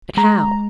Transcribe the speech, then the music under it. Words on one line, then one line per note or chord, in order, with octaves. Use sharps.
But how?
G#3 A#5